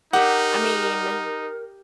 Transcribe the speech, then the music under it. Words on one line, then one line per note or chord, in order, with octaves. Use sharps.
I mean,
D#4 G4 A#4 E5 F#5